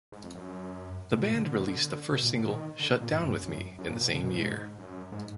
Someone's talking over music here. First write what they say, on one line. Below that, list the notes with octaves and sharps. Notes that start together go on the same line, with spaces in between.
The band released the first single "Shut Down with Me" in the same year.
G#2
F2
F#2
G#2
A#2
D3
D3
B2
D3
B2
A#2
A#2
D#3
D3
B2
A#2
G#2
F#2
F#2
F#2
F#2
A#2
B2
D3
B2
G#2
F#2
G#2